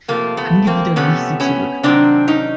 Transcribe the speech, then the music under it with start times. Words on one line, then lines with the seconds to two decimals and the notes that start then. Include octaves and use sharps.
Angewidert wich sie zurück.
0.08 C3 F3 A3 A#3
0.37 A3 B3
0.67 A#3 C4
0.96 C3 F3 A3 B3 C#4
1.40 B3 C#4
1.83 C3 D#3 F#3 C4 D4
2.28 C#4 D#4